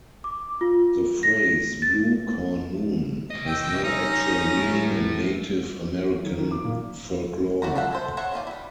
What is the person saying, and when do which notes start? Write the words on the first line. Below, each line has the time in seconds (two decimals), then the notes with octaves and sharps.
The phrase "blue corn moon" has no actual meaning in Native American folklore.
0.24 D6
0.61 F4
1.23 A#6
1.82 A6
3.30 C2 D#5
3.46 G5 E6
3.84 C#4 D#4 A#5
4.58 A3 E4
6.23 D#3
6.38 D#3
6.51 D6
6.64 A#2
7.62 A3 F#4 D5 A#5
7.75 F4 A4 E5 F#5
7.91 G#3 A4 C5
8.17 A4 C5 C#5 E5 F#5
8.32 D#3 A#3 D#4 D5
8.47 G3 E4